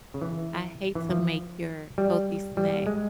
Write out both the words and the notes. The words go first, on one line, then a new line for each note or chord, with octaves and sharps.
I hate to make your healthy snack
C#3
E3
E3
F3
G3
G3
G#3